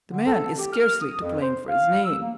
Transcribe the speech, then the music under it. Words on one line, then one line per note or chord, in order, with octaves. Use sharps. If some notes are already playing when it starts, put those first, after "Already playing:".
The man is scarcely to blame for his name.'
D3
A4
G4
F6
D#6
F2
C5
F5
E6
A#3